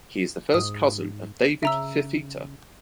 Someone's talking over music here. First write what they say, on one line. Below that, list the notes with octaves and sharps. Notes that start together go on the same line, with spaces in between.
He is the first cousin of David Fifita.
G#2 D#6
C#3 E5 A#5 E6